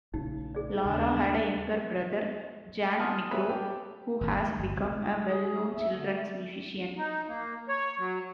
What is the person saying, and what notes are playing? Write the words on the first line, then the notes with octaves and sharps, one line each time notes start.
Laura had a younger brother, Jan Nigro, who has become a well-known children's musician.
A#1 A2 C#3 D#4
G#4 D5
D#2 C#3 G3 D4
F#5 G#5 A5 C6 D#6 F6
B4 C#5 E5
G4 A4
G#1
D2
G1
C2
G#4
E5
D3
A3
D#4
A#3
C#5
F#3